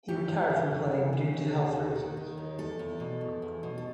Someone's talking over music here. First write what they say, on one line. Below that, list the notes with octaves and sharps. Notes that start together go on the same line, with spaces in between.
He retired from playing due to health reasons.
F#2 G4
F#2
E3
F#2
E3
E3
D#2
D#2
D#3
D#3
D#3
D#2
E2 A4
E2
B2
E2
E2
B2
A4